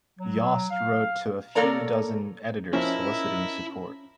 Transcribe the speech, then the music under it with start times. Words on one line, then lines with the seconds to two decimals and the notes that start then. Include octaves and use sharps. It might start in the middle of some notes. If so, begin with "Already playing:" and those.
Yost wrote to a few dozen editors soliciting support.
0.19 F#3
0.70 F5
1.55 A#3 A4 A#4 C#5 D5 A#5
2.73 F3 C#4 D#4 E4 A#4 E5